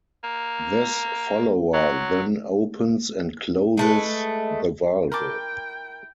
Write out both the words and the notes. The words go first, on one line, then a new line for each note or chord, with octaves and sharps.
This follower then opens and closes the valve.
A#3
F#3
G#3 A3 B4
E4 A#4 G5 A5 C6 D6